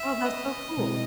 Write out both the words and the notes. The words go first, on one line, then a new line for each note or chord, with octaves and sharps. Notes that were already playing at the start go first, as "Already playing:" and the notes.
Oh, that's so cool.
Already playing: E5
D#5
B2 G#3 C4 E4